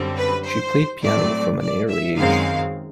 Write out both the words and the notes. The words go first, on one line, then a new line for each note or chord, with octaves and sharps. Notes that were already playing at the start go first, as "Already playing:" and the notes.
She played piano from an early age.
Already playing: F#2 D3 G3 C4
B4
C5
A2 F#3 A3 C4 D5
D5
E5
F#2 D#3 G#3 C4 F5